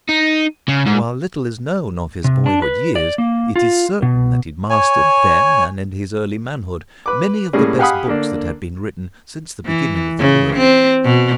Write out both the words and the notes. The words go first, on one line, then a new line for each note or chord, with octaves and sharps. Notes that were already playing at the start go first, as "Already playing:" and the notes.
And while little is known of his boyhood years, it is certain that he mastered then and in his early manhood many of the best books that had been written since the beginning of the world.
D#4
C#3
G#2
C3
D4
B4
D5
A#3
F4
B2
C#5 G#5
B4 D6
A2 G3 A#3 C#4 G#4
G4 F5 F#5 G#5 B5 D#6
D3 A#3 D4
E3
C#3
C4
B2